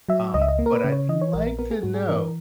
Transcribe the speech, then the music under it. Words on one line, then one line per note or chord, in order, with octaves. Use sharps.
um, but I'd like to know
F#3 E5
C#2 D#5
E5
D#5
A#3
A#4
B4
C#3
C#5
E3 D#5
C#5
A#1 A#4
A#4
B3 A#4
G#4
G#2 F#4
G#4
E3 A#4